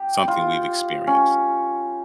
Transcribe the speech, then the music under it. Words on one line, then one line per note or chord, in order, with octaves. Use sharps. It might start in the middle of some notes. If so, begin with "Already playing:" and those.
something we've experienced.
Already playing: G4
F4
C#4